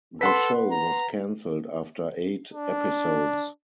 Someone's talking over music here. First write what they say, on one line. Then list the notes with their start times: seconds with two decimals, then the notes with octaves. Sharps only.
The show was canceled after eight episodes.
0.21 A4 B4 F#5 C6 B6
0.71 A#5
2.53 D4